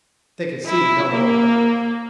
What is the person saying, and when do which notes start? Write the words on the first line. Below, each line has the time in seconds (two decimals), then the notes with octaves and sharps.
They could see no more.
0.67 E4
1.11 A#3